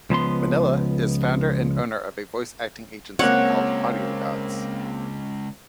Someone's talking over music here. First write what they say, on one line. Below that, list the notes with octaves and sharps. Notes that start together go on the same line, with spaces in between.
Minella is founder and owner of a voice-acting agency called AudioGodz.
C#2 F3 B3 C6
C#3 G#3 A#3 C4 C#5 F#5